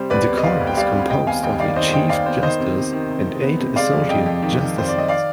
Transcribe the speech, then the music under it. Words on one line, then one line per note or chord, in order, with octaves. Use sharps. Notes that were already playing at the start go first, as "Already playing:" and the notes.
The Court is composed of a Chief Justice and eight Associate Justices.
Already playing: C3 G3 C5
D2 B4 D5
B3
D#5
D2 D5 F5
D2
G5
G3 D5 F5
C3
D#2 D#5 G5
B3 F5 G#5
D#2 D#5 G5
D#3 D5 F5
D#3 C5 D#5
D#2 D#5 G5
D#2 D5 F5
B3 C5
D#3 C5 D#5
C3
C3
D#3
C3
C3
B3
C3
G#3 D5 F5
F2
F2 D#5 G5
F2
D#3
D#3
F2 C5
D#3 D5
D#5
D5 F5